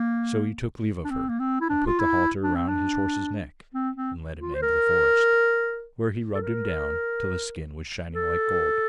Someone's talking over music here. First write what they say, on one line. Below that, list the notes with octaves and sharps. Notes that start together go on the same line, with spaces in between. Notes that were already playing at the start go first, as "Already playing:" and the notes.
So he took leave of her, and put the halter round his horse's neck and led him into the forest, where he rubbed him down till his skin was shining like gold.
Already playing: A#3
D4
C4
A#3
C4
E4
D4
F4
E4
D4
C4
D4
C4
C4
F4
C5
A#4
A4
A#4
A4